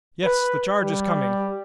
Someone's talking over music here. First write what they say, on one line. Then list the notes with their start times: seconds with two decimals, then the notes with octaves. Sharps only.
Yes, the charge is coming.
0.25 B4
0.81 G3